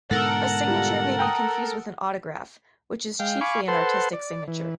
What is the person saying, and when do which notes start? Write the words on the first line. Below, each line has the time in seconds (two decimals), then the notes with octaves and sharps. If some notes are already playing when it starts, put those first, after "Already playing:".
A signature may be confused with an autograph, which is chiefly an artistic signature.
0.11 G#2 B2 D3 A4 A#4 F#5
0.67 G3 F4
1.19 G5 A#5 D#6
3.19 G#3 F5 G5
3.41 F5 G#5 B5 C#6 D6
3.68 A4 B4 C5 F#5 A5 C6
4.13 D5
4.48 E3